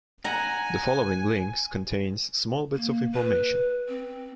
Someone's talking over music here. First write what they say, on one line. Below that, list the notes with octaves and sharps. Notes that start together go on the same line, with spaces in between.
The following links contains small bits of information.
F#5 G#5 A#5
A#3
B4
C4